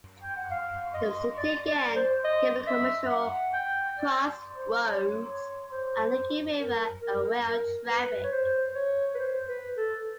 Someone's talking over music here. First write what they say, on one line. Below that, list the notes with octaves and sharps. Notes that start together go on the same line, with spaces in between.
The city again became a commercial crossroads, linking river and rail traffic.
G5
F#5
F5
D#5
D5
D5
C5
D#5
E5
F#5
G5
D5
C5
C#5
C#5
C5
A#4
A#4
A#4
B4
C#5
C5
C#5
B4
C5
B4
A4